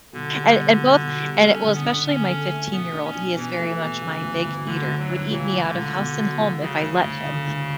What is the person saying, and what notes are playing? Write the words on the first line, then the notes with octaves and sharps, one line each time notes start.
and and both and it well, especially my fifteen-year-old, he is very much my big eater, would eat me out of house and home if I let him,
B1 D3
G3
B2
B2
B1
G3
C#4 A4
D3
B3
D3
D3 C#4
A4
A3
B2 B3
D4
C#4
B2
B2 E3
A3
B2
C#3
D2
D2
D2 D3
D2
F#3
D2
C#2 E3
C#2
D3
C#2
B2
F#3
C#2
C#3 F#3
D2
C#3
D2
D3
D2